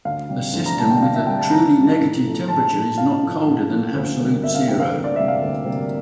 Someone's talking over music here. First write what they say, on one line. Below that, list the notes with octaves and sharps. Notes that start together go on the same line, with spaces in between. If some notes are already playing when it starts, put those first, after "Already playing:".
A system with a truly negative temperature is not colder than absolute zero.
D2 F5
C3 G3
D2
A#5
C3 G3 A5
G5
D2 F5
E5
C3 G3 G5
A5
D2 A#5
C3 G3
A2
F3 A3
A2 A5
F3 A3
A2 F5
F3 A3
A2
F3 A3
D2
C3 G3 A#3
D2 E5
F5
C3 G3 A#3 G5
F5
D2
D5
C3 G3 A#3 E5
F5
D2
C3 G3 A#3